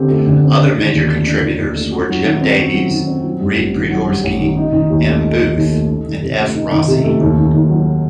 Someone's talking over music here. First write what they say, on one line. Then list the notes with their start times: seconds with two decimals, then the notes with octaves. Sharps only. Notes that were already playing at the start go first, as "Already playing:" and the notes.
Other major contributors were Jim Davies, Reid Priedhorsky, M. Booth, and F. Rossi.
Already playing: D3 C4 G4
0.10 A3
0.27 D3
0.43 C4
0.60 D4
0.77 D#3
0.93 D#2
1.09 A3
1.26 D4
1.43 D#3
1.59 D#2
1.75 A3
1.92 F#4
2.09 F#3
2.25 D#3
2.41 C4
2.59 F#4
2.74 F#3
2.91 D#3
3.07 C4
3.24 F#3
3.41 G2
3.57 A1
3.74 D#3
3.90 F#3
4.07 G2
4.23 A1
4.40 D#3
4.57 D#4
4.72 D#3
4.90 D#2
5.07 A3
5.22 D#4
5.40 D#3
5.55 D#2
5.72 A3
5.88 D#4
6.05 D#3
6.22 C3
6.38 A3
6.55 D#4
6.71 D#3
6.88 C3
7.04 A3
7.21 D#2
7.37 D#3
7.54 D#2
7.70 F#3